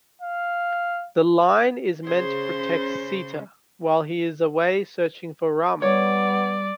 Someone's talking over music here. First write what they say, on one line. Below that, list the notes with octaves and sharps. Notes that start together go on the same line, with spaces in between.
The line is meant to protect Sita, while he is away searching for Rama.
F5
C#3 G#4 C5 C6
G3 B3 C#5 D5